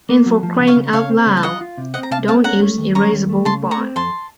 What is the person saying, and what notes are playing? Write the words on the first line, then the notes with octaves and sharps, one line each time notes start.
And for crying out loud, don't use erasable bond.
A#3
F#3
F3
C#3
C#5 F5
C#3
C#3 C#5 F5
C4
C#3
A5
F4 D#5 F#5
F4
C3
C4 D#5 F#5
A#5
C3 F5 A5
C4 F5 A5
C#4 F#5 A#5
A3
D#2
C#4 A#5 C#6
D#2
A3
C#3 A5 C6
A3
A#5 C#6
C4
F2 A5 C6